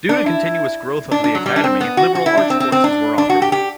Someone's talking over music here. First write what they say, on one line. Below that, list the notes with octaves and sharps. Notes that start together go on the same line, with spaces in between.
Due to continuous growth of the Academy, liberal arts courses were offered.
D4
E4
D4
D4
F#3
G3
D4
C4
B3
F#4
F#4
E4
D4
C4
C4
C4
D4
D4
F#4
G4
G4